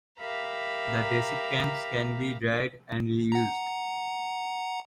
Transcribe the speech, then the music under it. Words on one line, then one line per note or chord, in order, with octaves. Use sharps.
The desiccants can be dried and reused.
G4 A#4 E5 F5 A#5 B5
F#5 A#5